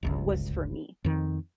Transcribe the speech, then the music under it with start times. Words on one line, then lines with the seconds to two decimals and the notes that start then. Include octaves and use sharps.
was for me
0.03 D1 G1 C#2
1.04 F2 D#3